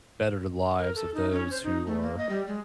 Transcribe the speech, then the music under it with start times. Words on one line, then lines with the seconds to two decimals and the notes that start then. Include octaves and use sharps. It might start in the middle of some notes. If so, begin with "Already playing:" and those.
better the lives of those who are
0.79 A#4
0.95 A4
1.14 D#4
1.32 C#4
1.51 C5
1.64 D#4
1.87 A3
2.02 A#3
2.18 D#5
2.29 G3
2.47 G#3